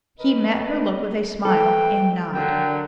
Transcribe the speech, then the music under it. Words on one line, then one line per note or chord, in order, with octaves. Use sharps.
He met her look with a smile and nod.
C#3 A#4 B4 D#5
E3 A3 A4 C5 G5
D3 F#3 D4 A#4 G5